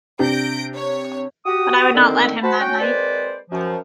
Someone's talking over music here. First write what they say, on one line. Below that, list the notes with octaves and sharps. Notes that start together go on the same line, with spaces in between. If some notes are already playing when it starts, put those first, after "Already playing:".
But I would not let him that night.
C3 D4 G4 G6 A#6 D7
C#5
F#4 G4 D#6
D3 D#3 C4
F#4 C5 A5 B5
C#4 F#4 G5
G#3 A#3 C4 B4 C5 D5
F#2 F3